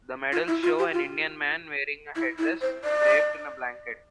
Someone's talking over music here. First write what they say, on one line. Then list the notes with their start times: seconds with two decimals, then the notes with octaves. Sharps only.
The medals show an Indian man wearing a headdress, draped in a blanket.
0.32 F4
0.48 E4
0.63 F4
0.79 G4
0.94 F4
2.16 E4
2.38 E4
2.61 C5
2.84 D5